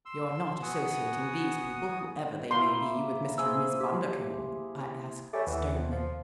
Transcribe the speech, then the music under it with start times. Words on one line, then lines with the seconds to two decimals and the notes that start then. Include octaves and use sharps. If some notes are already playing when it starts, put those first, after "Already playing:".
"You're not associating these people, whoever they may be, with Mr. and Miss Bundercombe?" I asked sternly.
0.06 C6 E6
0.62 B3 F#4 F#5 G#5 D#6
2.51 A#3 E4 C6
3.38 G#4 C5 E6
3.81 G4
5.33 G3 A3 C#5 G#5 D6
5.47 D#2 A2 E3 B3
5.74 F2
5.91 F3